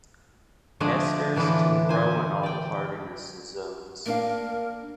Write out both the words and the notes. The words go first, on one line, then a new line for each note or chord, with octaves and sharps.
Asters can grow in all hardiness zones.
D3 F3 G#3 A3 D4 G#4
A2 D3 E3 B3 D4 F4
C5 G#5
D5 G5
A#3 D4 A#4 F5